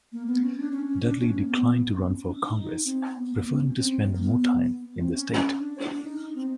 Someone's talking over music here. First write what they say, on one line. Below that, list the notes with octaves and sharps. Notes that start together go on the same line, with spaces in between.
Dudley declined to run for Congress, preferring to spend more time in the state.
A#3
B3
C#4
D4
C#4
C#4
D4
C#4
A#3
B3
C4
C#4
D4
D#4
D#4
C4
B3
A#3
B3
C#4
C4
A#3
B3
C4
C#4
D4
D4
D#4
D#4
C4